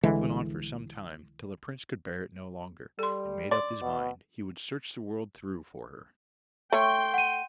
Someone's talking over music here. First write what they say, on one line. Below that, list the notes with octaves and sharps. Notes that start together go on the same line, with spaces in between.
This went on for some time, till the prince could bear it no longer, and made up his mind he would search the world through for her.
C2 D3 E3 G#3
G3 A4 C6
D5 C6
B2
A3 C#5 G5 C6
F#5 D#7